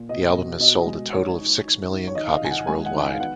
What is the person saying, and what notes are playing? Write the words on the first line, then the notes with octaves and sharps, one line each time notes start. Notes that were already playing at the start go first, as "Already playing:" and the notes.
The album has sold a total of six million copies worldwide.
Already playing: A#2
B2 D#5
B2
B2 D#5
G#3
D#4 C#5
D#4
D#4
D#4
C#5
D#3 D#5
F5
D#5
D#3 G#5
F#5
G#3 G#5
F#5
D#3
F#5
F5
B3 F#5